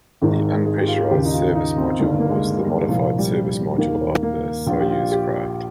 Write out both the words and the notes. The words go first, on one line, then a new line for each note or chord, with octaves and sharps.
The unpressurized service module was the modified service module of a Soyuz craft.
G#1 G#2 D#3 G#4
G#4
G4
F4
G4
D#2 C#3 G4
D#4
F4
D#4
C4
G1 G2 D#3 A#3
A#3
G#3
G3
C2 A#2 F3
G3
D#2 D#3 A#3
A#3
A#1 A#2 F4
G4
F4
G4